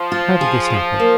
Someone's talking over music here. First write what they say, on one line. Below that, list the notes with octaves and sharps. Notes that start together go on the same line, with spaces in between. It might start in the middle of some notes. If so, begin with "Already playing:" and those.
How did this happen?
Already playing: F3
F4
G#4
F4
A#3